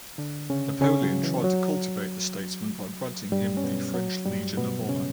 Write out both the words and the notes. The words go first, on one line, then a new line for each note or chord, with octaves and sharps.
Napoleon tried to cultivate the statesman by granting him the French Legion of Honor.
D3 D4
C#3 C#4
C#3 C#4
F#3
E3
F#3
G2 G3
C#4
B2 B3
F#3
G2 G3
B2 B3
C#3 C#4